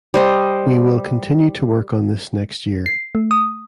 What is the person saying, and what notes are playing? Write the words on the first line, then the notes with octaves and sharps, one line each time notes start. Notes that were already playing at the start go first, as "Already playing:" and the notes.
We will continue to work on this next year.
G3 C5 D#5
C7
A3
D#6